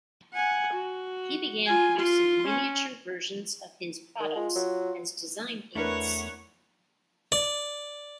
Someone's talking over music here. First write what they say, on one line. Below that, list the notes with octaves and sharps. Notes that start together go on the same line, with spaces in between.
He began producing miniature versions of his products as design aids.
F#5 G#5
F#4
F4 G#5
F4 C6
C#4
D#3
G#3 F4
F#3
E2 A3 D4 E4 A#4 B4 C#5 F#5
D5